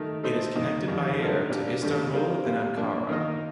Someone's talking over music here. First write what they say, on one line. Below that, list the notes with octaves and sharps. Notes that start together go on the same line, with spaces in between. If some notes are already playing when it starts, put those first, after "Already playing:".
It is connected by air to Istanbul and Ankara.
Already playing: D#3 A3 D#4 A#4
A3 D#4 A4 C5 D#5
D#3 A#3 D#4
F2 D#3 G3
D3 A3 C4 D#4 A#4
A#2 G3 D4 G4 A#4
G2 D#3 A3 D#4 G4
D#3 G3 C4 F4 A#4
G3 A#3 F4
F3 A#3 D4
D#3 A#3 D#4 A#4 D#5